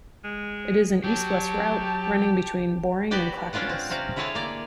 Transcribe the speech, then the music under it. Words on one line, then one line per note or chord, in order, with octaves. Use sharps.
It is an east-west route, running between Boring and Clackamas.
G#3
F#3 G4 A5
B3 F#4 G4 D5 G5
C#4 D4 F4 D5 F#5
C4
C3 C4 C#4 F#4 F5
D3 E4 G#4 C#5 F5 A5
A#3 D5